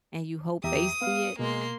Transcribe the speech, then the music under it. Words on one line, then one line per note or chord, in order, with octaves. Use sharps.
and you hope they see it,
E2 G4 E5 A#5 D#6
B3 F5
B2 G#3 A#3 C6